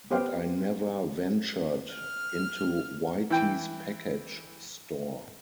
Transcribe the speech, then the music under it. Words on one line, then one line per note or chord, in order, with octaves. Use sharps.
But I never ventured into Whitey's package store.
B3 G4 B4 C5 F5 G5
F6
E3 G5